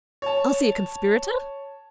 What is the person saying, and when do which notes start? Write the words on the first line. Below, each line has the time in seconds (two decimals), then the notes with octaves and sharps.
Elsie a conspirator?
0.22 C#5 A5